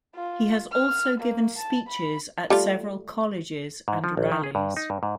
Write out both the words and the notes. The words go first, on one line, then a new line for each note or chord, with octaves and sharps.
He has also given speeches at several colleges and rallies.
F4
F6
A#3
A5
B5
G3 A3 F4
G#2
F3
A#1
D#3
G#4
G2
D#4
G2
G#2